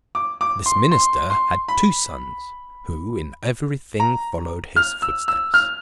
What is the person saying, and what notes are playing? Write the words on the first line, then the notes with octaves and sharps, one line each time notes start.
This minister had two sons, who in every thing followed his footsteps.
D6
D6
C6
C6
C6
B5
A#5
F6
E6
E6
F6